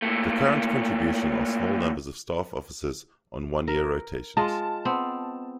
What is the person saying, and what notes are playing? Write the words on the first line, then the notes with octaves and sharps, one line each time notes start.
The current contribution are small numbers of staff officers on one-year rotations.
A#2 A3
A#4
G#3 F4 D#5 A5
B3 C4